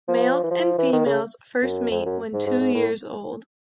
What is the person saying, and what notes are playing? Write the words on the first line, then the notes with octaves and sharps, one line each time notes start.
Males and females first mate when two years old.
F3
E3
F3
E3
D#3
C#3
F#2
F2
F#2
G#2
G#2
G#2
A2